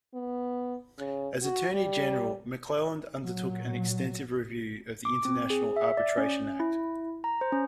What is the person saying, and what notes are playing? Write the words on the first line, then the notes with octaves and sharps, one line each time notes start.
As Attorney General, McClelland undertook an extensive review of the International Arbitration Act.
B3
C#3
F#4
G3
A#2 F#3
D6
C4
G#4
E5
D5
C#4
E4
A#5
C5
C#4